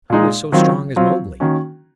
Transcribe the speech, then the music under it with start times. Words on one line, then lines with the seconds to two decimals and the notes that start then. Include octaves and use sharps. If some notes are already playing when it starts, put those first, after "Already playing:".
Who is so strong as Mowgli?
0.10 A#2 G#3 D#4
0.52 D#3 F#3 C4 F4
0.96 F#3 C4 F4
1.40 D#3 A#3 C#4 F#4